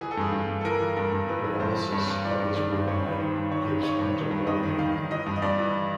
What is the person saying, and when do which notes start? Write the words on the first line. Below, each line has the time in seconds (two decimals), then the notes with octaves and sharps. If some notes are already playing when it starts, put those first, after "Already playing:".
Pyrolysis of this bromide gives pentaborane.
0.01 E3 G#4
0.11 A4
0.17 G2 G#4
0.32 G2
0.49 G2
0.61 A4
0.64 E3 A#4
0.80 E3
0.97 G2 A#4
1.12 G2
1.28 E3 B4
1.44 E3
1.60 G2 C5
1.76 E3
1.92 G2 C#5
2.07 G2
2.24 E3 D5
2.40 G2
2.56 D#3 D5
2.72 G2
2.77 C5
2.87 G2 C#5
3.04 D#3 B4
3.20 D#3 C5
3.35 G2
3.51 D#3 C#5
3.67 D#3
3.83 D#3 C#5
3.99 G2
4.15 D#3
4.31 G2
4.47 G2 D#5
4.63 D#3
4.79 D#3 F5
4.95 D#3
5.11 E3 D#5
5.26 G2
5.36 D#5
5.42 G2 D5
5.58 E3